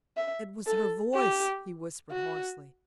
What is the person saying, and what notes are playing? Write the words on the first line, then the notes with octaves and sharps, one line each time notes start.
"It was her voice," he whispered, hoarsely.
E5
A4
G4
F#4